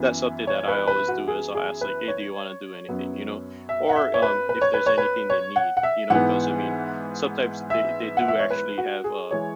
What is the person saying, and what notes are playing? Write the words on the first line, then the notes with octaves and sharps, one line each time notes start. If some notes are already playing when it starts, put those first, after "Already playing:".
that's something that I always do is I'll ask, like, "Hey, do you want to do anything," you know. Or, um, if there's anything they need, you know, 'cause I mean, sometimes they they do actually have a
Already playing: F#2 E3 B3
C#5
B4
B4
F#4
G#4
G#4
B4
C#5
F#2 F#3 B3
E5
F#5
E5
C#5
B4
B4
C#5
B4
C#5
B4
C#5
F#5
F#5
E5
G#2 E3 B3 F#5
E5
F#5
E5
C#5
B4
F#4
G#4
E3 G#3 C#5